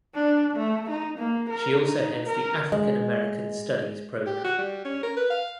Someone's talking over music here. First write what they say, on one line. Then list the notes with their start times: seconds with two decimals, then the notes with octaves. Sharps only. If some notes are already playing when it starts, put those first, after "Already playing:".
She also heads the African American Studies program.
0.15 D4
0.56 A3
0.90 D#4
1.18 A#3
1.49 A#4
1.84 D#4
2.27 A#4
2.72 G#3 D#5
4.27 G4
4.44 F#4
4.58 G3
4.85 C#4
5.03 A#4
5.17 B4
5.30 F5